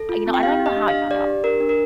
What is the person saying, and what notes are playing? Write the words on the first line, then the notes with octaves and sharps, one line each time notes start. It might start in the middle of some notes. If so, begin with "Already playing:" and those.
you know, I don't even know how he found out
Already playing: A4
F4
C4
G5
G4 F5
G4
D#5
D4
F5
D4
G4 D5
G4
D4 A#4
D4
A#4